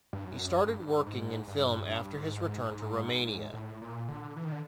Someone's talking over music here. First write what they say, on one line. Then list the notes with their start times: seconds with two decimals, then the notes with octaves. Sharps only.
He started working in film after his return to Romania.
0.13 G2
0.25 F#2
0.65 G2
1.06 G#2
1.48 G2
1.89 G2
2.16 G#2
2.40 G2
2.44 G#2
2.71 G#2
3.54 A2
3.82 A#2
4.08 D3
4.36 E3
4.45 D#3
4.52 D3